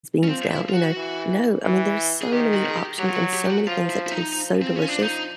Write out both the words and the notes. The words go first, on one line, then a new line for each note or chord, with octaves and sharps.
beans down, you know? No, I mean, there's so many options and so many things that taste so delicious.
C#4
F3 C4
E4
F4
F#4
E3
E3
G#4
D#3 G4
F#4
G#4
G4
F#3 G4
F4
F#4
G4
G4
F#4
F3 F4
E4
E4
D#4
F3
C4
C#4
D4
D#4